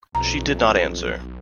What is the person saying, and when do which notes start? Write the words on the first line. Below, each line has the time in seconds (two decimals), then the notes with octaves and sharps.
She did not answer.
0.15 B1 F2 A#5